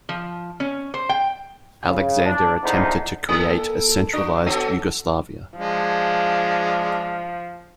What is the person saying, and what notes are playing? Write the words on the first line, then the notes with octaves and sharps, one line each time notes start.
Alexander attempted to create a centralised Yugoslavia.
F3
C#4
C5
G5
C#3
D4
A#1 E2 D3 D4 D#4 C5
A#3 A4
D4 F#4
B3 F#4 A4
F3 G#3 D4